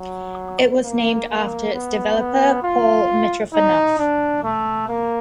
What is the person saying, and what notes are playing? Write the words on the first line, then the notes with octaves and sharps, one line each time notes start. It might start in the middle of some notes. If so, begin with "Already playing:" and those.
It was named after its developer, Paul Mitrofanoff.
Already playing: F#3
A#3
A#3
B3
B3
F4
D#4
D4
A3
A#3